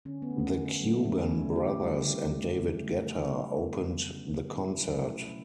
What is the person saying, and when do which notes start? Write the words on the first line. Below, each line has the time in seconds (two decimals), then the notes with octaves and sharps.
The Cuban Brothers and David Guetta opened the concert.
0.05 D3 C#4
0.22 B3
0.30 A3
0.39 C#4
0.56 D3
0.81 F#3 A3
1.05 D3 C#4 E4
1.30 A3
1.55 D3 E4 G4
1.80 G3
2.06 D3
2.31 A3
2.56 C#3
2.81 F#3 A3
3.06 C#3 E4 G4
3.31 G3
3.56 D3 B3 D4
3.82 F#3 A3
4.07 C#3 C#4
4.32 E3 G3
4.56 C#3 C#4 E4
4.82 F#3 A3
5.07 B2 C#4 E4